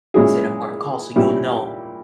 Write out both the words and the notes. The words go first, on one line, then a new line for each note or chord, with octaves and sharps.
It's an important call so you'll know
A#2 G#3 C#4 E4 G#4
A#2 G3 C#4 E4 G4